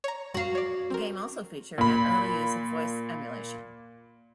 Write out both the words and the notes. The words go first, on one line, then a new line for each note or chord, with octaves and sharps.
The game also featured an early use of voice emulation.
C#5 A#5
F#2 F#4 F5
C#5 D5
C4 A#4
A#2 B5